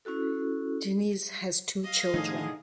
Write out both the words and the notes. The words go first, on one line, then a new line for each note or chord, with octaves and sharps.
Diniz has two children.
C#4 E4 F#4 A4
D#5 F5
A2 D3 D#3 F3 A3 D#4 G#4